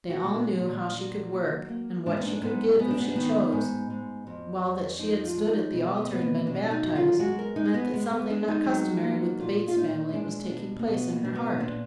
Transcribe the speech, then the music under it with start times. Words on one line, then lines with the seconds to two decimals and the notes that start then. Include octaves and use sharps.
They all knew how she could work, and what she could give if she chose; while that she had stood at the altar and been baptized, meant that something not customary with the Bates family was taking place in her heart.
0.10 F#4
0.22 A#2
0.34 D4
0.59 A#2
0.95 F#3
1.33 A#3
1.69 A#3
2.06 G#2 D4
2.17 B3
2.26 D4
2.42 G#2 B3
2.79 G#2 B3
2.91 D4
3.00 B3
3.08 D4
3.16 D#3 B3
3.52 G#2
3.90 G#2
4.27 F2
4.63 F2
4.99 F3 D#4
5.24 F4
5.36 G#3
5.48 D#4
5.73 B2
5.98 B3
6.10 B2 B3
6.21 A#3
6.46 B2 D4
6.63 D4
6.71 D#4
6.83 F#3
6.95 F4
7.19 G#3 F#4
7.39 A#4
7.56 G#3 D#4
7.74 B3
7.94 G#3 B3
8.11 B3
8.30 G#3 D4
8.48 D#4
8.66 F#3
9.03 A#3
9.40 A#2 F4
9.68 F4
9.77 A#2 D#4
10.09 B3
10.13 G#3 D4
10.46 B3
10.50 B2 D4
10.79 A#3
10.87 B2 B3
11.12 A#3
11.23 B2 D4
11.35 B3
11.60 A#2 D4